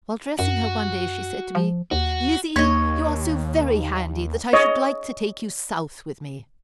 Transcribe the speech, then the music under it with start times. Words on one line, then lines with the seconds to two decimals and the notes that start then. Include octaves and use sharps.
While dressing her one day, she said to me: "Lizzie, you are so very handy that I should like to take you South with me."
0.39 F#2 F#4
1.55 F3
1.91 D#2 F#4
2.56 D#2 A#3 D#4 C#5 D#5
4.53 C#5 D#5